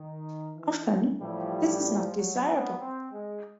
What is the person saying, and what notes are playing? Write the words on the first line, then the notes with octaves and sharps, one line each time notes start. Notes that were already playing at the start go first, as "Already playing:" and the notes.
Often, this is not desirable.
Already playing: D#3
E3
A2 E3 F3 G3
F3
F#3
B3
C4
G#3